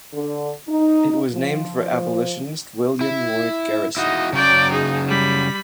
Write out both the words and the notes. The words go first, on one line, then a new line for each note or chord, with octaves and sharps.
It was named for abolitionist William Lloyd Garrison.
D3
D#4
F3
E4
D#4 E4 F#4 D#5
C#3 F#3 C#5 D5 G5
D#4 G#4
G3 B5